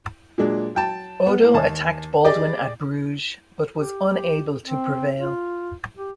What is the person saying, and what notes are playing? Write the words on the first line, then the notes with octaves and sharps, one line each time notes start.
Odo attacked Baldwin at Bruges but was unable to prevail.
A#2 F#3 G#3 D4
F#3 G5 A5
B3
A2 A#3
D#2 G#5 A5
G4 G#4 D5 D#5 G5 D6
G4
C4
F4
G4